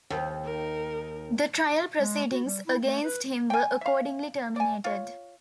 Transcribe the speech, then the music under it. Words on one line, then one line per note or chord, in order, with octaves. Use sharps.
The trial proceedings against him were accordingly terminated.
D#2
D#4 A#4
G#3
F#4
G3
E4
A3
B4
G5 G#5
E5 F5
D5 G#5
F4 C#5